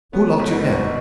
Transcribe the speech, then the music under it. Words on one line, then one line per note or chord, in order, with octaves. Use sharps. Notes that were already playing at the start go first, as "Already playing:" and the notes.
"Who locked you in?"
A2 B3
G#1
B2
G#2 C3
B2